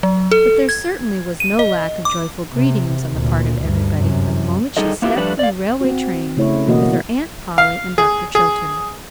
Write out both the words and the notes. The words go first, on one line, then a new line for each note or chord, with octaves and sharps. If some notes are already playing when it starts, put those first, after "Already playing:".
But there certainly was no lack of joyful greetings on the part of everybody from the moment she stepped from the railway train with her Aunt Polly and Dr. Chilton.
F#3
A4
G#6
D#7
D#5
D6
C3
D2 A#2
D2 G2
F#2 C3
G3 D#4 G#4 A4 D#5
A#3 B3 E4 F4 G4
F3 G3 A3 D4 B4
D5 D#5 F5
C4 F#4
C#3 A3 E4 C#5
B2 E3 A#3 F#4 D#5
F5
G#4
G#4